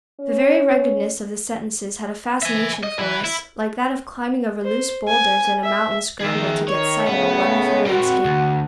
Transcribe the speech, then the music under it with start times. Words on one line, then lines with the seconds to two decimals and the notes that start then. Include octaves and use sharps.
The very ruggedness of the sentences had a fascination for us, like that of climbing over loose bowlders in a mountain scramble to get sight of a wonderful landscape.
0.20 C#4
2.43 E5 G#5
2.83 D#5
2.99 E4 B4
3.24 E4
4.63 C5
5.08 G#5
5.63 E5
6.20 D#3 G#4 E5
6.68 D#3 C#5
7.07 A2 C#3 B3
7.86 C4 F#4 A#4
8.25 D2